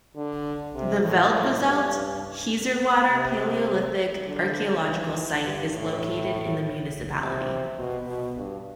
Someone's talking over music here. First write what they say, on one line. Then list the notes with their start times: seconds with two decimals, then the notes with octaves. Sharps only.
The Veldwezelt-Hezerwater Palaeolithic archaeological site is located in the municipality.
0.16 D3
0.75 C3
1.03 A2
1.33 A2
1.63 G2
3.09 C3
4.26 D3
4.85 E3
5.44 G2
5.73 A2
7.20 C3
7.78 B2
8.07 B2
8.36 G2